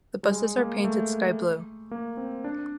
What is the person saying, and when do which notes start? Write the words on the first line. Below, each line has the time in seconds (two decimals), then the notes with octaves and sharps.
The buses are painted skyblue.
0.23 G3
0.31 G#3
0.58 A#3
0.84 A3
1.91 A#3
2.17 C4
2.44 D4